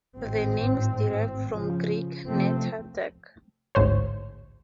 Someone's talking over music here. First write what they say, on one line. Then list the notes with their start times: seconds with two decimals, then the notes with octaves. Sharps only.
The name is derived from Greek "Netta" "duck".
0.17 G#1 A2 C4
1.52 C#3 F3
2.24 C3 F3 A3 C4
3.75 A1 D2 G#2 C5 C#5